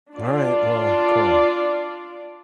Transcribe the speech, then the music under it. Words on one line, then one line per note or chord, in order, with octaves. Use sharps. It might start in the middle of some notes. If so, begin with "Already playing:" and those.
All right, well, cool.
D4 F4 D5